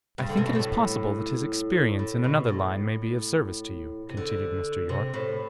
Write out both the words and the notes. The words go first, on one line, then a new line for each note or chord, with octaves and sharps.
"I think it is possible that his experience in another line may be of service to you," continued Mr. Yorke.
G2
D3
C3
B2
A2
A2
B2
A2
C3
D3
C3
A2